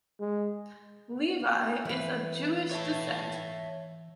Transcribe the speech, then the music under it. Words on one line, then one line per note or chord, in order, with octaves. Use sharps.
Levi is of Jewish descent.
G#3
E3 E4 B4
C#5 E5 A5